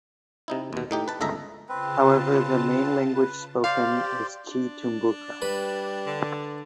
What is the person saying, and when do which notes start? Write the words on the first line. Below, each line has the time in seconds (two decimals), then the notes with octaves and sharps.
However the main language spoken is chiTumbuka.
0.48 C3 D#4 E4
0.73 D#2 B2
0.91 A2 D#4 G4
1.08 B4 A5
1.21 G1 C#2 A4 D#5 E5 A#5
1.69 C#3 C4 F4 B4 A5
3.15 B4
3.64 G4 C5 D5 F5
4.51 D4
5.42 G3 B4
6.06 D3